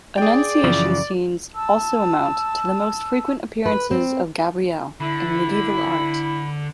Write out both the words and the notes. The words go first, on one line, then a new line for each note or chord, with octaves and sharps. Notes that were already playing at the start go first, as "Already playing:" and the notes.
Annunciation scenes also amount to the most frequent appearances of Gabriel in medieval art.
G#4 D5 G5
F#2 C#3 E3 F3
A5 E6
B4
C4
D3 E4 B5